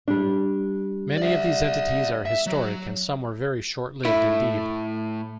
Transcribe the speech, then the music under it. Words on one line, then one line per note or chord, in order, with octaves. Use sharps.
Many of these entities are historic and some were very short-lived indeed.
G3 D4
D5 E5
E5
F#3
A2 A3 E4